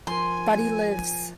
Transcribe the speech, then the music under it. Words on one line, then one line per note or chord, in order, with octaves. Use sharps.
But he lives.
F3 A#4 G#5 C6